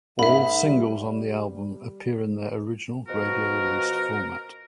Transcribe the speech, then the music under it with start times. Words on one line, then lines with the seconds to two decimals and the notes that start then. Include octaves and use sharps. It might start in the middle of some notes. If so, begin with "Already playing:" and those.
All "singles" on the album appear in their original radio released format.
0.19 G#2 A#3 E5 B5
0.63 G3
3.08 B2 F3 F#4 A#4